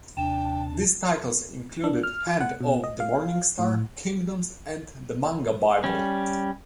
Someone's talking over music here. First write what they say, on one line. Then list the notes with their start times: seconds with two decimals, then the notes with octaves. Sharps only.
These titles included "Hand of the Morningstar", "Kingdoms", and "The Manga Bible".
0.17 D#2 C3 D4 G5 A5
1.84 D4
2.03 F6
2.27 F4
2.41 F#5
2.61 B2
2.84 D#5
3.00 F5
3.59 A2
5.84 G3 C#4